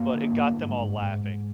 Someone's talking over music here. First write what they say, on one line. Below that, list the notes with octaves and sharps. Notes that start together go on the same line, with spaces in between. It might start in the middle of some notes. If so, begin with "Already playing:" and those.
but it got them all laughing.
Already playing: G2 A#3
D3
G2
G#2
G#2
G#2
G#2